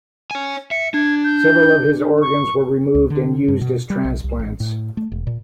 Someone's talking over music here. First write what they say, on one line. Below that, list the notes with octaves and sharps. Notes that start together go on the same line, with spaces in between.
Several of his organs were removed and used as transplants.
C#5 G#5
E5 C#7
D4 G#6
G6
C#6
C#2
D3
G2
B2
G3
B1
C2
A1
A2
A3
E1
A#2